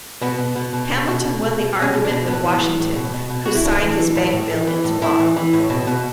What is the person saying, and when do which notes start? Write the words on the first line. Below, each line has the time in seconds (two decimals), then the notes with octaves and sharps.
Hamilton won the argument with Washington, who signed his Bank Bill into law.
0.22 B2 B3
0.38 B2
0.56 B2
0.73 B2
0.91 B2
1.07 B2
1.25 B2
1.42 B2
1.59 B2
1.76 B2
1.82 C#4
1.93 B2
2.05 D4
2.10 B2
2.27 A2 B3
2.44 E3
2.61 E3
2.79 A2
2.96 B2
3.14 B2
3.30 B2
3.46 B2 F#4
3.55 E4
3.65 A2 D4
3.81 E3
3.99 E3
4.15 A2
4.33 A2
4.50 E3
4.67 E3
4.84 A2
5.02 A2 E4
5.19 E3
5.37 E3
5.53 A2
5.70 B2
5.87 B2